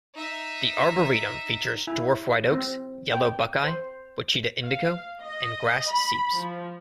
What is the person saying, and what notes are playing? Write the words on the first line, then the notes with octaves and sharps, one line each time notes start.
The arboretum features dwarf white oaks, yellow buckeye, Ouachita indigo, and grass seeps.
D#4 E5
E4
C4
G5
C5
F5
D#5
B5
F3